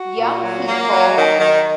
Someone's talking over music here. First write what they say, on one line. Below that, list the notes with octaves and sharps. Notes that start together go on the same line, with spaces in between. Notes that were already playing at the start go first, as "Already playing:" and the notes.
young people
Already playing: F#4
A#2
F#3
A#3
F#3
D#3
D#3